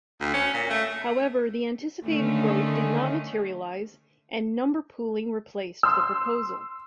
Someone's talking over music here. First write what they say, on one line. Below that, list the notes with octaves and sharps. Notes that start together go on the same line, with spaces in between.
However, the anticipated growth did not materialize and number pooling replaced the proposal.
D2
C#4
A#2
A3
D3 D#3 A3 C#4
C6 E6